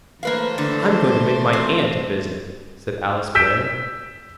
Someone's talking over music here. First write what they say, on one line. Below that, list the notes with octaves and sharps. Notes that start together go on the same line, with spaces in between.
"I'm going to make my aunt a visit," said Alice Blair.
E3 A3 A#3 B4 C5 F5
D3
C4
E6 G6 B6 D7 E7